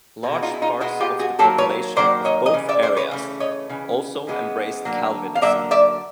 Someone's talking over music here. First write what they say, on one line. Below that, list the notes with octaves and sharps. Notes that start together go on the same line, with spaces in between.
Large parts of the population of both areas also embraced Calvinism.
B2 G#3 B3
E4
D#4 F4
E4
D#4 F4
B2 G#3 B3 E4 F#4
F4 G4
F#4 G#4
D#3 F#3 A#3 G4 A4
B4 C#5
D#3 F#3 A#3 C5 D5
C#5 D#5
D#5
C#3 E3
D5 E5
C5 D5
B4 C#5
C#3 E3 A3
C#5 D#5
C#3 E3
C#3 E3 G#3 B3
D3 F#3 A#3
F5
D3 F#3 A#3 D5 E5
D5 E5